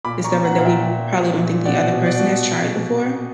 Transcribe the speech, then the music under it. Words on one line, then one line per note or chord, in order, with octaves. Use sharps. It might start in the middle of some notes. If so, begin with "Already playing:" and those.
discovered that we probably don't think the other person has tried before.
A#2 B5 D6
A#5 C#6
A#2
F#5 A#5
A#2 A#5
E5 G5
A#2
A#2
A#2
B2 D5 F#5
B2
D5 F#5
B2